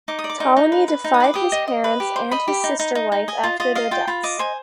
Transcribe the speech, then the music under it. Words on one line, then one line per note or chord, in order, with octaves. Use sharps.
Ptolemy deified his parents and his sister-wife after their deaths.
D#4 D6
D#6
D5
D6
D#4
D#4
B4
B4
D#4
D#6
B4 D6
G4 D#6
D#5
D#5
B4
G4
C5
D#5 B5
G4
D#4
D#4
D#4
D#4
D#5 G#5
F4
F4 D#5
D#5 F5
F4 G5
F4 B5
D#5 D6
C5 G#5